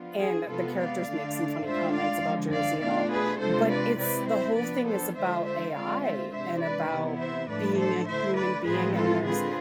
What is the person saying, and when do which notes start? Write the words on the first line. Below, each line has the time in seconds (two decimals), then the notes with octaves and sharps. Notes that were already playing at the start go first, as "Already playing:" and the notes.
and the characters make some funny comments about Jersey and all, but it's the whole thing is about AI and about being a human being and there's
Already playing: F3 B3 D4 F4
0.20 G#4
0.48 C3 G#3 B3 F4 A4
0.78 D5 F5
1.07 D3 A3 D4
1.65 A2 G#3 D4 F4 C5 E5
1.94 D5 F5
2.24 D3 F3 G#3
2.53 D5 F5
2.82 B2 A3 D4 F4 D5 F5
3.11 G#4 B4
3.40 C3 G#3 D4 F4 A4 C5
3.70 B4 D5
3.98 C3 G#3 C4 E4 B4 D5
4.28 C5 E5
4.57 F3 B3 D4 B4 D5
4.86 A4 C5
5.15 D3 G#3 D4 F4 C5 E5
5.45 C5 E5
5.74 D3 G#3 C4 F4 D5 F5
6.02 C5 E5
6.32 C3 E3 G#3 D4 C5 E5
6.61 B4 D5
6.91 C3 E3 B3 E4
7.20 C5 E5
7.49 A2 F3 A3 D4 B4 D5
7.78 A4 C5
8.07 D3 A3 E4 C5 E5
8.36 B4 D5
8.65 A2 F3 G#3 C4 F4 G#4 B4
8.95 F4 A4
9.24 D3 G#3 C4 F4 G#4 B4